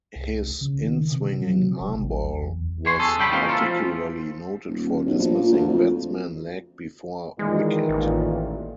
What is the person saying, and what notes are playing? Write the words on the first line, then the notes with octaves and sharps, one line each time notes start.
His inswinging arm ball was particularly noted for dismissing batsmen leg before wicket.
C2
C2
C#3
D#3
C3
F#3
C3
E1
A1
D#2
E2
E2 C#5 C6
B3 G#4 A4
G2 C#3 G3 G5 B5
E3 G#3 A#3 C4 C#4 F4
F4 A4
F3
D#1
B1
A#1
A#2
D2
F2
A#2 D#3 E3 G#3
A1